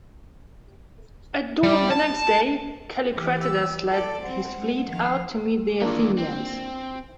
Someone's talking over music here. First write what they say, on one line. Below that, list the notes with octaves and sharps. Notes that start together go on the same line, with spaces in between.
At dawn the next day, Callicratidas led his fleet out to meet the Athenians.
G3
A5
E3 G4
E6
A4 D5 A5
C4 F#5
G#3
D#3 F3 F5
D#2 E3 A#3 D4 F4
C4